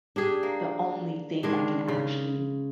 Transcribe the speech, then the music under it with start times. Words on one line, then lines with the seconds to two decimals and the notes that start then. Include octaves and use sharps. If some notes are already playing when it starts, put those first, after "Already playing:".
the only thing that can actually
0.16 D4 G4 G#4
0.43 A#3
1.43 D#3 G#3 D4
1.88 C#3